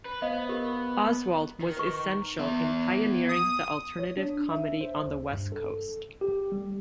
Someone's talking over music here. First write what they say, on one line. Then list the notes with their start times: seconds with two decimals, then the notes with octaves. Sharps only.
Oswalt was essential in pioneering the alternative comedy on the West Coast.
0.05 B4
0.22 B3 C5 D#5 F5
0.49 G4 A#4
1.61 D#3
1.77 B4 C#6
2.39 B3 E5
3.29 D#6
3.99 C#5
4.17 D4
4.51 E5
4.81 C5
5.06 D2
5.31 G2
5.52 A4
6.21 G4
6.52 G3